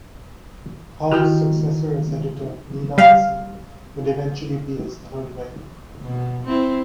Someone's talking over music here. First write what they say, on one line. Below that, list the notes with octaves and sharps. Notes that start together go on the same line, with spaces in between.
Howe's successor as editor, Leila Hassan, would eventually be his third wife.
D#3 E4 F#4 G4 G5
G3 F5
B2
C4 E4